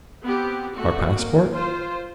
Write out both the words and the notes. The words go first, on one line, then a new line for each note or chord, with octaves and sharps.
"Our passport?"
B3 C4 G4
A3 F#4
A#3
F4 C5